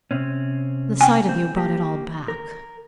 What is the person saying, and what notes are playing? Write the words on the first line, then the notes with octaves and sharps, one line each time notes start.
The sight of you brought it all back.
C3 C4 C#4
G5 G#5
C4
A#3 G4
A#4